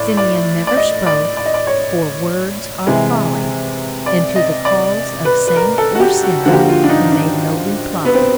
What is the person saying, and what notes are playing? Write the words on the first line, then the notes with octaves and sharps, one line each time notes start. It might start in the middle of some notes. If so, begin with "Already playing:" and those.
Simeon never spoke, for words are folly, and to the calls of saint or sinner he made no reply.
Already playing: A2 D5
D5
D5
D#5
D5
D5
D#5
D5
C#5
C3 E3 G#3
D5
D#5
D5
B4
B4
A#4
A4
F#4
G4
F#4
D3 F3 A#3 F#4
G4
F#4
F4
D4
D#4
D4
B3
C4